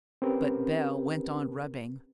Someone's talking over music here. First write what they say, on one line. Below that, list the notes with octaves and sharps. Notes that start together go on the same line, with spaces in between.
But Bell went on rubbing.
C4 C#4 G4 A#4 B4